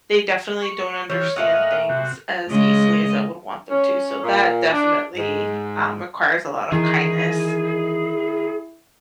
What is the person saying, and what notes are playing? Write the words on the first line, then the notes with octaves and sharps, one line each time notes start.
they definitely don't understand things as easily as I would want them to, so that definitely, um, requires a lot of kindness,
C#6
E3 G4 C#5 F6
A#2 A3 D#5 F#5 F6
C3 F#4
C#3 G#3 D#5
C#4
A#2
D4
G#2
D#3 E3 E4 G#4